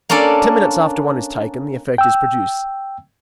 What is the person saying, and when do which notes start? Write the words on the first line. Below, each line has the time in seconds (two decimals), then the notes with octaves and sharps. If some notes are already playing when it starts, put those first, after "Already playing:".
Ten minutes after one is taken, the effect is produced.
0.09 A#3 C#4 D4 A4 D5
1.98 G5 E6